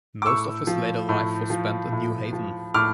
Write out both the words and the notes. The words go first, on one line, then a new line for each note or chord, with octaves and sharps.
Most of his later life was spent in New Haven.
D6
A2 C#6 E6
F3
A2
F3
A2
F3
A2 D6 F6